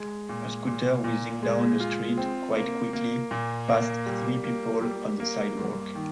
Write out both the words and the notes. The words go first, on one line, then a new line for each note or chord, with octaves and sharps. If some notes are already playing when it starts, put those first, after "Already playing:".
A scooter whizzing down a street quite quickly past three people on the sidewalk.
Already playing: G#3
A#2
A#2
A#2
G#3
F4
C4
A#3
A#3
A#2
A#3
G3
A#3
G3
A#3
G2
D#3